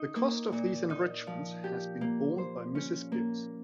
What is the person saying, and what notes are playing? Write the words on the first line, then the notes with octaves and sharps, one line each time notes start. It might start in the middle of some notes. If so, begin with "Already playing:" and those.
The cost of these enrichments has been borne by Mrs. Gibbs.
Already playing: D#4
A#3
A#2
D#4
F3
G4
A#3
C5
C#4
A#3